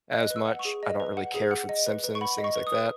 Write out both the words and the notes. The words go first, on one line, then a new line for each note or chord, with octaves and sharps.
as much. I don't really care for The Simpsons, things like that.
D#5 F#6
B4
E6
F#5
C#6
G#4
D#5
B4
F#5
G#4
F#5
D#5
B4
B4
C#6
F#5 B5
D#5
C#6
B4
D#6
B4